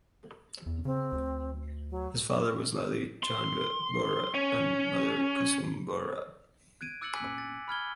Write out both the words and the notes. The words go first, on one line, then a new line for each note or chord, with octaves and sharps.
His father was Lalit Chandra Bora and mother Kusum Bora.
E2
C#3 C4
D2
F#3
C6
C#4
F#6 G#6 D7 D#7
D6 E6 F#6 A6 C#7 F#7
G#5 D6 F#6 B6 F#7
A6
B5 F6 G#6 G7